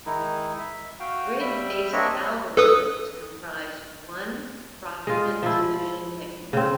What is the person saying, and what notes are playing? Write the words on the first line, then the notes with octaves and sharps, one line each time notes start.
Grid-based algorithms comprise one approximate solution technique.
D#3 G#3 D#4 E4
E5
F#4 F5 G5
G3 E5 G5 B5
A#3 C4 D4 C#5 D#5 E5
A4 B4 D#6
G#3 F4
F3 E4
C#3 C4